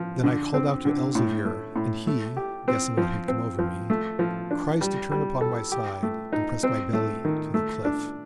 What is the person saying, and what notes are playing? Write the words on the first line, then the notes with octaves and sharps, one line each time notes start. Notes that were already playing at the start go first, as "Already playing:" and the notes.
Then I called out to Elzevir, and he, guessing what had come over me, cries to turn upon my side, and press my belly to the cliff.
Already playing: F3
D3
C4
D3
A2
A3
A2
A3
G4
C4
F3
C4
F3
A3
F3
D4
G3
G3
A4
G4
A3
D#4
C4
A3
D#3
A3
D4